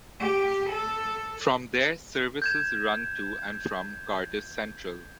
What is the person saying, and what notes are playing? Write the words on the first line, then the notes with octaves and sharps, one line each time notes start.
From there services run to and from Cardiff Central.
G4
A4
G6 G#6 E7